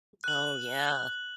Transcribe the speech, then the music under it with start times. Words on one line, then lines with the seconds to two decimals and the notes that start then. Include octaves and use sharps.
Oh, yeah.
0.24 F#6 F#7